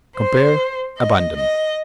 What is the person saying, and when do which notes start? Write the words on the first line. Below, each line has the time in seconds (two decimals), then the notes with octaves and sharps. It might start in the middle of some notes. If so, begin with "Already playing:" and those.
Compare ABANDON.
0.15 C5
0.95 D#5
1.35 D#5